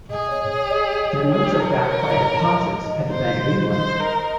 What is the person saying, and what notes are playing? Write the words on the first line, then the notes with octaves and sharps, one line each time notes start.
Their notes are backed by deposits at the Bank of England.
G#4 D#5
C#5
C#5
D#5
D#5
C#5
G#4
A#4
C5
C#5
D#5
C#5
D#5
C5
C5 D#5
A#4